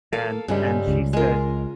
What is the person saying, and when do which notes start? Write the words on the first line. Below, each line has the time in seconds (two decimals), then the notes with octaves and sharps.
And and she said
0.13 A#3 A4 F5
0.48 G2 C#3 G3 G#3
0.88 C#2
1.13 G#3 F4 A#4 D#5